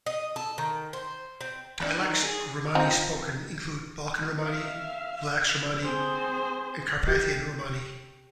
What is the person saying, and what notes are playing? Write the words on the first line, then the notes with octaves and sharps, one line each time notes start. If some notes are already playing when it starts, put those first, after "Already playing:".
Dialects of Romani spoken include Balkan Romani, Vlax Romani, and Carpathian Romani.
D#5
A4
D#3
C5
C4
D4
D#3
G#4
F3 C4 D#4
E5 F5
C4 G#4 C5
G4